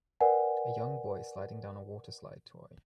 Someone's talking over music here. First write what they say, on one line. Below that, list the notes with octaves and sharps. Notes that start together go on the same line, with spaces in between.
A young boy sliding down a water slide toy.
A#4 B4 D5 F#5 G#5